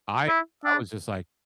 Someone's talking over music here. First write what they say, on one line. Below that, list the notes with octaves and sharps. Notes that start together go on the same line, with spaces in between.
I I was just like,
E4
D4